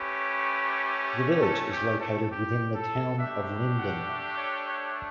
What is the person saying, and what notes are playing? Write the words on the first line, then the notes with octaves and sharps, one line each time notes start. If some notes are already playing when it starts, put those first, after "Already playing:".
The village is located within the Town of Linden.
Already playing: A3 C#4 G4 B4
A4
G4
A4
G4
A4
A3 D4 G4 E5
F#5
E5
C#5
C#5